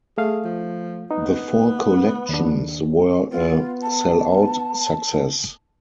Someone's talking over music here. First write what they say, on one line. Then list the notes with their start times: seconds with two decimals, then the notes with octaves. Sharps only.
The four collections were a sell-out success.
0.18 A3 G#4 F5
0.44 F3
1.11 B3 D#4
2.29 D#2 D4
3.32 B3 F4
3.82 A5